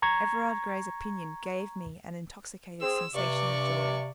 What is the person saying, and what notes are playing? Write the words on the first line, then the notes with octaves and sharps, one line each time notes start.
Everard Grey's opinion gave me an intoxicated sensation of joy.
A#5 C#6 G#6
C4 G#4 E6
G2 C3 D5 C#6